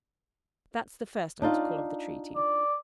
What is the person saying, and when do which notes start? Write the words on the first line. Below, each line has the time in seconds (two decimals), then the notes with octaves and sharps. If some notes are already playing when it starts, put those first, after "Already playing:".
That's the first article of the treaty.
1.42 D4 D#4 F4
2.36 D5